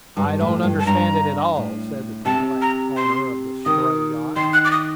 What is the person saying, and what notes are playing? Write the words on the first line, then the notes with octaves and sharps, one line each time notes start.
"I don't understand it at all," said the perplexed owner of the stray yacht.
G2
A2
G2
A5
G2 A#5
A2
C3 A5
A#5
C6
D#3 D#6
D#3 C6
F#6
D6
D#6